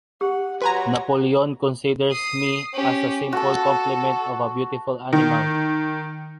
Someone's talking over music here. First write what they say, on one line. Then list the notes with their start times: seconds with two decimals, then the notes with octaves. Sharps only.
Napoleon considers me as a simple complement of a beautiful animal.
0.21 G4 F#5
0.62 F#3 B4 G#5 A#5 C6
2.11 D#6 C7
2.74 C#4 G4
3.32 F#4 A4 A5
5.13 D#3